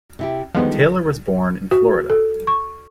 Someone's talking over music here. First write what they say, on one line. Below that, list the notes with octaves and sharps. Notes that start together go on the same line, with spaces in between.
Tayler was born in Florida.
C3 E4 G4
D3 D#3 F3 G3 G#3 B3
F#4
A4
C#6